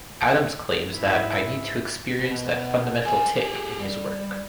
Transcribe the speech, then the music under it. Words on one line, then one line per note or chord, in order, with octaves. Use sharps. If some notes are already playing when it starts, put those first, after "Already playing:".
Adams claims that "I need to experience that fundamental tick" in his work.
G#2 E4
B2
A#4 G#5
G4 G#4
G3